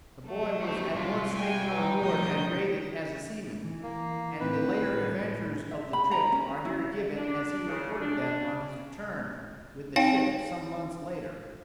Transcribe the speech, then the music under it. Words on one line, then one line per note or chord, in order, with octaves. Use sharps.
The boy was at once taken on board and rated as a seaman; and the later adventures of the trip are here given as he reported them on his return with the ship some months later.
F#3 A3
F#4 G4 C5
G3 F4 D5 E5
G5 G#5
E3 D#4 G5
D#3 F3 A3 D#5 G6
E3
A#3
A2 C4 E4 B4
G3 G#4
A2
E5
B5
A#5
C#4
E4
D4
C#3
D4
C4 D#4 C#5 F5 G5